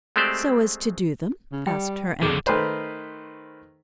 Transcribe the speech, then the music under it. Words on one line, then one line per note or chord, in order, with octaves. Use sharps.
"So as to do them?" asked her aunt.
G#3 A3 C4 G4 C5 D5
C#3
G3 G5
F2 B2 D3 G#4 A4
D#3 A3 B4 C5